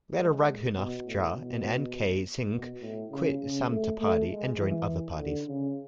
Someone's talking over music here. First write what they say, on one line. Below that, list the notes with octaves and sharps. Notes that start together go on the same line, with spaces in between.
Later Raghunath Jha and N. K. Singh quit Samta Party and joined other parties.
G#3
B2
A2
B2
B2
A2
C#3
C#3
A3
A3
G#3
E3
D3
C#3